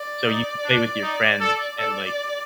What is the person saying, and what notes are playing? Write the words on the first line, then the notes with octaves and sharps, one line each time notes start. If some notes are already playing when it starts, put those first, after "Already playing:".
So, you can play with your friends and, like,
Already playing: D5
D#4
D4
D#4
A4
A4 D5